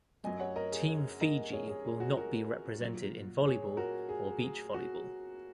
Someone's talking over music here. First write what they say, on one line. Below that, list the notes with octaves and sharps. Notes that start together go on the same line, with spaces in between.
Team Fiji will not be represented in volleyball or beach volleyball.
F#2 F#3 D#5 G#5
C#5 F#5
A#4 D#5
G#4
A#4 D#5
G#4 C#5
G#4
G#4
F#4
F#4 A#4
A#2 F#3
G#4 C#5
F#4 A#4
G#4
G#4
F#4